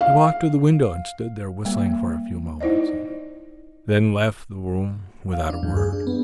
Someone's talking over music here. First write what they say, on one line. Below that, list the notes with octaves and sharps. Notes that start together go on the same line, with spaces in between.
He walked to the window and stood there whistling for a few moments, and then left the room without a word.
F5
G3 A#3
D#4 E4 C5 D5 D#5
F5
D4
F#2
G#4
D4
B3